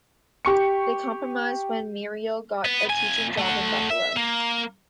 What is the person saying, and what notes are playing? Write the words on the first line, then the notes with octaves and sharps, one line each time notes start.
They compromised, when Muriel got a teaching job in Buffalo.
G4 C#6 C#7
B3
F2 G#5
A3 F#5
E5
A#3